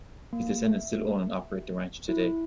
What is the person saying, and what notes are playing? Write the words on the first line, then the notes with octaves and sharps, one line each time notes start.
His descendants still own and operate the ranch today.
A#3
E5
E4